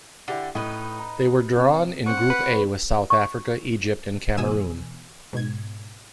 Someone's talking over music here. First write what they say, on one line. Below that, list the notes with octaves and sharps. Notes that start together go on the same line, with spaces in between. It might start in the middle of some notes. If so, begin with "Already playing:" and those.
They were drawn in Group A with South Africa, Egypt and Cameroon.
D3 E4 G4 D5
A2 D#4 B4
A#5
C3
C4 C5 F#5 C#6
B4
C#6
B2 E3 G#5 D#6 E6 D#7
G#2 B2 G#6